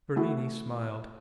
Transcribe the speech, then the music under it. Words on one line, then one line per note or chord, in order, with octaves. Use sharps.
Bernini smiled.
A3 E4 F#4